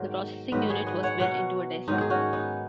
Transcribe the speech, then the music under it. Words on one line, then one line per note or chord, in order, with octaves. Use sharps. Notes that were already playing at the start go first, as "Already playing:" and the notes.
The processing unit was built into a desk.
Already playing: G#2 B2 D#3 F#3
G#2 D#3 F#3 B4 D#5
G#4 C#5
B4 D#5
C#5 F#5
B2 F#3 C#5 F#5
G#2 D#3 F#3 D#4 G#4
G#4
C#4 F#4
B3 D#4